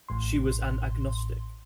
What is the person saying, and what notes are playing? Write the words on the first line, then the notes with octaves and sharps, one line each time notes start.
She was an agnostic.
A1 A2 C6